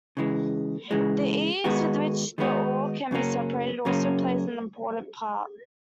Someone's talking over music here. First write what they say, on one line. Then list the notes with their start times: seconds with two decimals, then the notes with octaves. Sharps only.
The ease with which the ore can be separated also plays an important part.
0.17 C#3 E3 G#3
0.91 C#3 E3 G#3
1.64 D#3 G#3 B3 D#4 F#4
2.38 D#3 G#3 B3 D#4 F#4
3.11 F#2 C#3 F#3 A#3 C#4
3.85 F#2 C#3 F#3 A#3 C#4